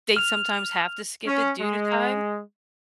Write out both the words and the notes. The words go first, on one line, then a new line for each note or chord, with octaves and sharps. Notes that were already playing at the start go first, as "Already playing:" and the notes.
they sometimes have to skip it due to time.
F6 F7
C#4
G#3